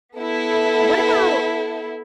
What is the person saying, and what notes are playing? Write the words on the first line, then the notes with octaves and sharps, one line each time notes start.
what about
B3 E4 A4